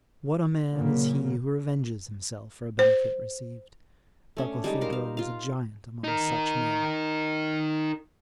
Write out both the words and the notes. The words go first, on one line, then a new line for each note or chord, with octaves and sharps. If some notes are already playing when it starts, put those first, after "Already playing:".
What a man is he who revenges himself for a benefit received! Barkilphedro was a giant among such men.
A#2 C#3 F#3 A#3
C5
A3 C#4 D4
G3 G#3 D#4
A#4 C5 F5
F5
F4 F5
D#4 A#4